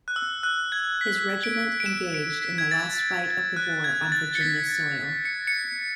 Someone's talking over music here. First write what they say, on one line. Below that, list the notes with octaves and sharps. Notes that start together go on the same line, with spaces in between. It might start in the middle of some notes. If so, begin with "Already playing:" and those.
His regiment engaged in the last fight of the war on Virginia soil.
F#6
E6
F#6
G#6
B6
D7
D7
E7
D7
B6
G#6
A6
F#6
G#6
A6
C#7
B6
C#7
C#7